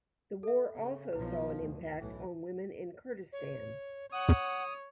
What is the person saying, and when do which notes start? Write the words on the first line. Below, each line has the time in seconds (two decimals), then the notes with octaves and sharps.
The war also saw an impact on women in Kurdistan.
0.43 A4 E5
0.74 C#3
1.13 B1 B2 F3 E4 B4
1.59 D2
1.98 B1 A2 E3
3.32 C#5
4.12 C#5 F#5 D#6